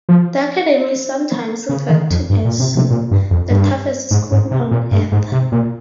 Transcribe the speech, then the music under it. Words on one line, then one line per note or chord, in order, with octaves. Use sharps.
The Academy is sometimes referred to as "The toughest school on earth".
F3
C#3
D#3
F2
G2
A#2
C3
C3
A#2
G2
F2
G2
G#2
G#2
C3
A#2
G2
G#2
C3
A#2